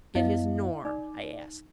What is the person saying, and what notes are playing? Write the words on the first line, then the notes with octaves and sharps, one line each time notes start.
"Get his Norm?" I asked.
F#2 B3 E4 D#5 F5
D#4 D5